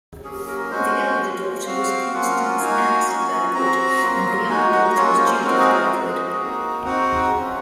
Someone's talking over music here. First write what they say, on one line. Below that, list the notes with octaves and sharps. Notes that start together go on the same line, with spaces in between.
The elder daughter was Constance 'Nancy' Birdwood, and the younger daughter was Judith Birdwood.
F#3 A#3 C#4 G#4
A#4
G#3 C#4 F#4 C5
A#3 F4
C4 F#4 F5
F#3 A#3 C#4 F4 F#5
A#3 D#4 F#4 G#5
F#3 C#4 F#4
C4 F#4 A#5
F#3 A#3 F4
G#3 D#4 F#4 G#5
F#5
A#5
F#3 A#3 C#4 F4 C#5
C5
G#3 C4 D#4 F#4 A#4
G#4
F#4
G#3 C4 F#4 G#4
A#3 D#4 F#4
C4 D#4 F#4 F#5
F#3 C#4 F4